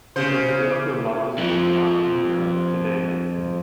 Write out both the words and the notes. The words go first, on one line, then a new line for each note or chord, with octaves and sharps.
It is still the largest bookshop in Europe today.
C#3 C5
F2 F3